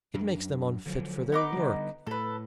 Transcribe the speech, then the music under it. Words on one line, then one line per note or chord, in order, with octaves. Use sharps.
It makes them unfit for their work.
F#2 D4
D3 F3 F#3
B3 D#4 D6
D3 G3
A2 A4 B4